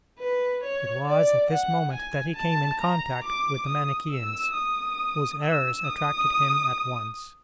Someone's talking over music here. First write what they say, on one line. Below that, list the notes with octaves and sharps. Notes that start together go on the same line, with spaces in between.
It was at this moment that he came in contact with the Manicheans, whose errors attracted him at once.
B4
C#5
D5
F#5
G#5
A5
A#5
D6
D#6
E6
D#6
E6
D#6